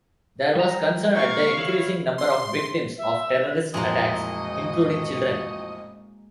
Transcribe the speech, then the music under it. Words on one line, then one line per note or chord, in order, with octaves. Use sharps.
There was concern at the increasing number of victims of terrorist attacks, including children.
G3 A#5
A#3 F5 C#6
E4 C#5
C6
E5
A1 F2 A#2 G#3 A#3 F#4 D#5